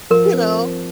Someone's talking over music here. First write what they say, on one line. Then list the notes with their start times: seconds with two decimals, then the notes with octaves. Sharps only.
You know?
0.10 F3 A#4
0.33 C4